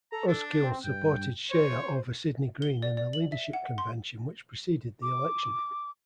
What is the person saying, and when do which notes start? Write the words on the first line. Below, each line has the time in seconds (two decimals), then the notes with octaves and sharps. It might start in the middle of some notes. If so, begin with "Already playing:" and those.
Uskiw supported Scheyer over Sidney Green in the leadership convention which preceded the election.
0.12 A4 A#5
0.28 D4
0.62 C4
0.84 G2 G5
1.51 C5 C#5
2.62 G7
2.82 D5
2.97 D5
3.13 F#7
3.32 E5
3.53 F#5
3.78 C6
5.02 D6